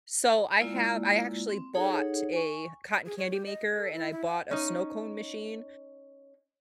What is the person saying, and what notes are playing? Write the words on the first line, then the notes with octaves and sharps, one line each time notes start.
So, I have I actually bought a cotton candy maker, and I bought a snow cone machine,
G#3 A#3 E4 F4 D5
C4
D#4 G#4 A4 C#5 F#5
G#5 C#6
G#4
C#5
G4
D#5
A4
E4
E4
F#5
C#4 D#4